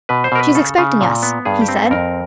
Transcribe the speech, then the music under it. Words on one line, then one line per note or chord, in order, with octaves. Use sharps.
"She is expecting us," he said.
B2 B4
C5
B2 A#4
B4
C#3 A4
C#3
A#2
B3
G2 G#4
G4
C4
A4
F2 A#4